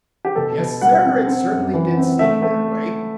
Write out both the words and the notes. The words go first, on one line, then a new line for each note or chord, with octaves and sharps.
Yes, Sir, it certainly did seem that way.
G4
B2 A4
B2
G3 F#5
C4
C4
F#2
E3
C4
A3 E5
A3